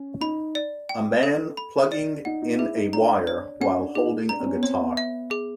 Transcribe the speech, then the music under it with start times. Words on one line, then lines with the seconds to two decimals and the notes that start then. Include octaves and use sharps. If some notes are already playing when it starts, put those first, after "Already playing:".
A man plugging in a wire while holding a guitar.
Already playing: C#4
0.21 D#4 B5
0.55 D5
0.89 G5
1.23 A4
1.57 B5
1.92 D5
2.25 D#4 F#5
2.42 D#4
2.59 E4 G#4
2.76 D#4
2.93 D4 A#5
3.27 C#5
3.61 C#4 F#5
3.78 D4
3.95 D#4 G#4
4.29 D4 A#5
4.40 C4
4.46 C#4
4.56 B3
4.63 C4 C#5
4.81 B3
4.97 E5
5.31 G#4